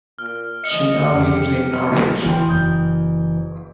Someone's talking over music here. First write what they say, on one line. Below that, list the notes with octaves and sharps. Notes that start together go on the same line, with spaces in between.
She now lives in Norwich.
A#2 F6
D#5 F6 C#7
F2 G4
F6
E3 G5 C6 F6
F#1 D#6 G6